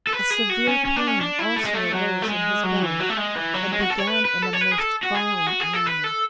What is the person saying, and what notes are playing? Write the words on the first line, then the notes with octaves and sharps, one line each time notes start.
A severe pain also arose in his belly, and began in a most violent manner.
A4
B4
G#4
F#4
C#4
C#4
D4
C#4
D4
E4
A3
G#3
A3
F#3
A3
G#3
F#3
E3
F#3
A3
G#3
E3
F#3
G#3
F#4
A4
C#5
B4
B4
A4
C#5
B4
G#4
A4
F#4
G#4
F#4
G#4
A4
B4
A4